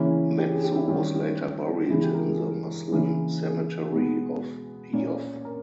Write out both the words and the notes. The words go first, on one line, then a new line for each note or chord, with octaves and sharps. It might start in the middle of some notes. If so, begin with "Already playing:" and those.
Metsu was later buried in the Muslim cemetery of Yoff.
Already playing: C#3 E3 A#3 C#4 E4
G4
G#4
G4
E4
D#3 G3 C#4 G4
C#3 E3 G#3 B3 E4
G4
A#4
G#4
C#3 E3 A#3 C#4
G#4
B2 G#3 B3
A#2 A#3 C#4
A#4